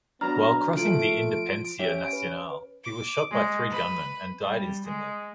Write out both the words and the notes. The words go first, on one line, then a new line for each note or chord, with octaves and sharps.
While crossing the Independencia Nacional, he was shot by three gunmen and died instantly.
F#3 B3 D4 A#5 F6
F3 A3 D7
C#4 G4 C#5 E5
B4
D6
G#3
B4
G3
G#3